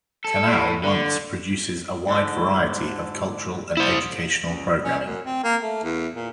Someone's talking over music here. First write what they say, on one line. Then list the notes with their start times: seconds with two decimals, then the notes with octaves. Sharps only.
Canal Once produces a wide variety of cultural and educational programming.
0.25 A4
0.48 A2
0.84 D3
2.08 G#2 D3
3.77 E4 C5
4.36 C#2
4.84 C#4
5.06 F#2
5.25 C4
5.44 A#3
5.63 A3
5.83 E2
6.15 A#2